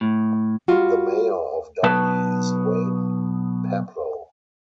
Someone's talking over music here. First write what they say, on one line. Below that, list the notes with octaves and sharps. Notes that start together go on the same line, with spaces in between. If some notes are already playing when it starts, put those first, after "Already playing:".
The mayor of Dundee is Wayne Paplow.
A2
G3 F4 F#4
B2 F#3 D#4 B4 A5